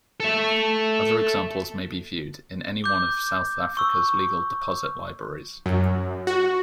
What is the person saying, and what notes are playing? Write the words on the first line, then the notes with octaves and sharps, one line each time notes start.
Other examples may be viewed in any one of South Africa's legal deposit libraries.
A4 E5
D6 G6
C#6 E6
F#2
F#4